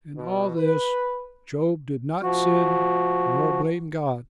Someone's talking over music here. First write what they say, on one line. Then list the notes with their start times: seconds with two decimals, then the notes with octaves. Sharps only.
In all this Job did not sin nor blame God.
0.16 B2
0.56 B4
2.22 F3 F#4